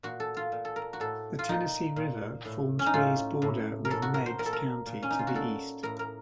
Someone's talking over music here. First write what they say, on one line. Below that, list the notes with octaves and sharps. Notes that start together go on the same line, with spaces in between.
The Tennessee River forms Rhea's border with Meigs County to the east.
A#2 F#4
A4
F4
A#2
A4
A#4
F#4
A2 A4
F4
A#2 D#4
A#2
A2
C#4
D#4
A2 F4
A2
A#4
A2 A4
F#4
A#4
C5
A#2 A#4
A4
A#4
A#2
C#4
D#4
F4
F#4
A#2 A4
A2 A#4
A#4